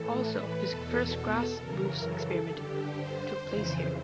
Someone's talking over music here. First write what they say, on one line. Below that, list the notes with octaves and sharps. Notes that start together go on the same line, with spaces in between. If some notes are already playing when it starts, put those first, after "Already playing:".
Also his first grass roofs experiment took place here.
Already playing: A2 E3 A4
B4
E2 B2 A4
A4
F#2 C#3 E3 A#4
A4
G2 D3 G4
C5
F2 C#3 E3